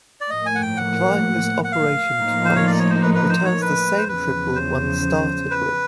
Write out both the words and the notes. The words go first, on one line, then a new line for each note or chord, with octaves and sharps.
Applying this operation twice returns the same triple one started with.
D5
A2 F3 A#3 D#5
G#5
F#5
G5
F#5
F#5
F5
A2 F3 A#3 D#4
C5
C#5
D5
C#5
C5
B4
B4
C5
C#5
B4
C5
E2 C#3 F3 B4
C5
B4